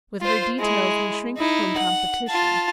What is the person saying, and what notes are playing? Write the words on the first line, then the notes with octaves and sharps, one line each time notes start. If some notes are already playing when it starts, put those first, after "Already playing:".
With her details we shrink from competition.
F4 C5
G#3 E4
D#4 E4
F#5
F4 A5